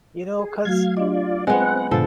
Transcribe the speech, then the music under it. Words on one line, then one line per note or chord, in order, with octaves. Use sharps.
You know? 'Cause,
G#4
F#3 A3 F#4 F5 G#6
D4 F4 G4 D5 D#5
G#3 B3 C4 F4 C5 F#5 G5
G#2 B2 D3 F3 A4